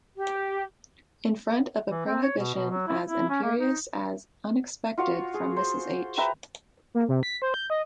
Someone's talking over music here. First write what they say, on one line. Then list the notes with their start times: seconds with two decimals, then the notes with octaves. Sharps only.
In front of a prohibition as imperious as unexpected, from Mrs. H.
0.16 G4
1.90 E3
2.06 C4
2.23 C#5
2.37 B2
2.55 B2
2.71 F#3
2.88 E4
3.06 E4
3.30 C#4
3.43 A#3
3.59 D#4
4.98 F4 F#4 C#5 F5
5.34 G#4
5.57 C5
6.17 B4 E5 G5 A#5
6.94 A#3
7.09 C3
7.23 B6
7.42 C5
7.54 G6
7.70 D#5